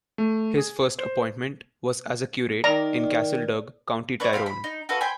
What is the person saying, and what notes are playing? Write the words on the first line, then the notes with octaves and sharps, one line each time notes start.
His first appointment was as a Curate in Castlederg, County Tyrone.
A3
G#4
C5
D#3 D5 A#5
B4 C#5 D5
C4 F5 G5 B5
B5
D#4
F#4 A4 B4 F5
C5 G5 G#5 B5